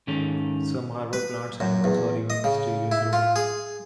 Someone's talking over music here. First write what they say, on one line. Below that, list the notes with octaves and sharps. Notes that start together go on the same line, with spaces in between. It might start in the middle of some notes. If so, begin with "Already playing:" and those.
Some harbour plants and animals, or even mysterious ruins.
G#2 D#3 C#4 A4
B4
F#2
E2
D#5
C#3
E4
F4
G#4